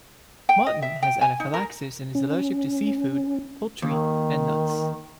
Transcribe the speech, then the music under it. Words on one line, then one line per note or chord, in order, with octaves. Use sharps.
Martin has anaphylaxis and is allergic to seafood, poultry, and nuts.
G5
D#5
E5
G5
G#5
D#4
A#4
C#4
D#2 D#3